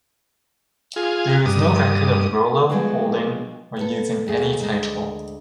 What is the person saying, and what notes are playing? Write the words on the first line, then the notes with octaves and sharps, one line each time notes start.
There is no record of Rollo holding or using any title.
F4 G#4
G2 D#6
F3 F#3 G#3 A3 B3 D4
B3 A4
D#2 A3 G#4
D2 G#3